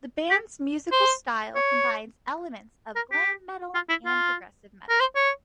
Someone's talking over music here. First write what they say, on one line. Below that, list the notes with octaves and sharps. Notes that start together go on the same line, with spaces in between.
The band's musical style combines elements of glam metal and progressive metal.
G4
C5
C#5
A#4
G4
F4
E4
F4
A#4
C5
C#5